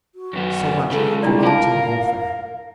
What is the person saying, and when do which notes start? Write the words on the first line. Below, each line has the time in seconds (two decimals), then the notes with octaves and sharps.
So much for mountain warfare.
0.15 F#4
0.33 F#2 B3
0.91 C#3 G#3 A4
1.23 G3 D4 E4 D5
1.43 F4 A#4 F5 A5